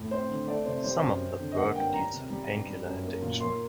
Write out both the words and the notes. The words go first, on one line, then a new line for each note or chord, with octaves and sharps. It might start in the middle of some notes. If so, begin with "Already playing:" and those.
Some of that work deals with pain killer addiction.
Already playing: A2
C4 C5
D3
A3 D5
C3 C5
G3 C5
F#2
C4
D3
D#5
A#3 F#5
G2 G5
G3 A#5
C3
G3
G2
G3
F#2
A#3
A#2
A#3 C6